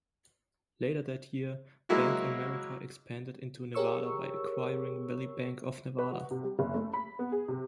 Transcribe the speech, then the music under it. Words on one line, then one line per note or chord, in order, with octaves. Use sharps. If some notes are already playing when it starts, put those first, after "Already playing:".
Later that year, BankAmerica expanded into Nevada by acquiring Valley Bank of Nevada.
F#3 G#3 A#3 E4 F#4
G4 G#4 A#4 C#5 C#6 E6
B4
F#4
C3
G3
F#1
A3
B5
B3
G#4
C3